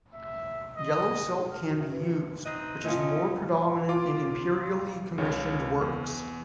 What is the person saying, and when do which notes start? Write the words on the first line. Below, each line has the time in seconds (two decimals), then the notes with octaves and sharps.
Yellow silk can be used, which is more predominant in imperially commissioned works.
0.14 E5
0.78 D#5
1.52 F6
1.69 F#4
1.81 E5
1.92 B4
2.09 C#7
2.45 C4 D#4 B4 D#5
2.85 D2 A3 C4 C#4 F4 D#5
3.89 F4 D6
5.18 C#2 C#3 C#5
5.81 E2